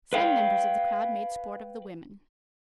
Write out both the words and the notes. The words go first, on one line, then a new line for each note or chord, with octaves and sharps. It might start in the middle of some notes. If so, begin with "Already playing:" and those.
Some members of the crowd made sport of the women.
B4 F5 G5